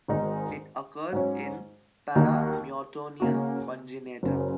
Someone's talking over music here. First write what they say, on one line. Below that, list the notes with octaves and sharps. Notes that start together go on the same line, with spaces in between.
It occurs in paramyotonia congenita.
G#1 G#2 D#3 G#3 D#4
G#2 F#3 C#4
D#2 D#3 A#3 D#4 F#4
C#3 A#3 F#4
F#1 F#2 C#3 F#3